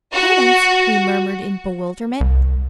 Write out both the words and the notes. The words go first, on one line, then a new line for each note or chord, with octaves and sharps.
"Penance?" we murmured in bewilderment.
F#4
C2